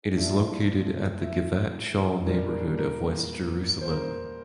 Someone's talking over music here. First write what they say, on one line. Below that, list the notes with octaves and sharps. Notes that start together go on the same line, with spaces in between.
It is located at the Givat Shaul neighborhood of West Jerusalem.
A#2 F3 A3 D4 E5
E5
A#2 G3 A#3 D4 A#4
A#4
A#4
C5
A#4
C5